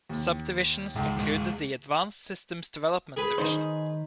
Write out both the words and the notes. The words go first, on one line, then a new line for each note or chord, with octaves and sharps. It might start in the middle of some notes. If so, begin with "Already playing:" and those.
Subdivisions included the Advanced Systems Development Division.
D#2
C#2 G#2
D1 G#3 A#3
G#4 B4
D#3 D#4 C5